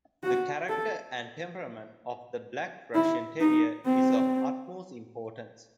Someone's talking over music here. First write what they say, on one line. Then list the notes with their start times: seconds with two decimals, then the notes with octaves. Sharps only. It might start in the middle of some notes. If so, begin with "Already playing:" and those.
The character and temperament of the Black Russian Terrier is of utmost importance.
0.23 F#4
0.69 A4
2.94 E4
3.41 D#4
3.85 C4